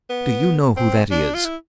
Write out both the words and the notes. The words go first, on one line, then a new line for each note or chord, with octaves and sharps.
"Do you know who that is?"
B3
C4
D4
F4
E4